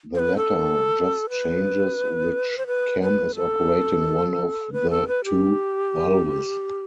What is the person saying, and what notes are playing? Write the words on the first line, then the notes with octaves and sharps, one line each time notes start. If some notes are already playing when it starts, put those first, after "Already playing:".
The latter just changes which cam is operating one of the two valves.
C5
B4
A4
B4
C5
B4
B4
A4
B4
A4
B4
G4